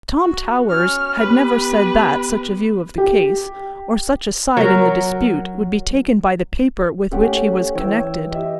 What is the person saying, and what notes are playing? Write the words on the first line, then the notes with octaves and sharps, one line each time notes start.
Tom Towers had never said that such a view of the case, or such a side in the dispute, would be taken by the paper with which he was connected.
F#4
C#4 F6
B3 G4 B4
G4
F#3 A#4
A3 C#4 G4 F#5
E3 C#5 G5 E6
G4 D#5 E5